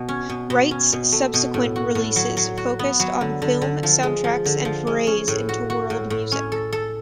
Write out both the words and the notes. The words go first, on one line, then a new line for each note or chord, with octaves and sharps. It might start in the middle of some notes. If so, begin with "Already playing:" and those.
Wright's subsequent releases focused on film soundtracks and forays into world music.
Already playing: B2
C#4
B2
B2
C#4
B2
A3
B2
A2
F#4
A2
F#3
F#3
F#4
B3
F#3
D3
D3
D3
F3
G#3
F3
D3
F3
G#3
C#4
A2
F#4
F#4
A2
A2
C#4
A4
A4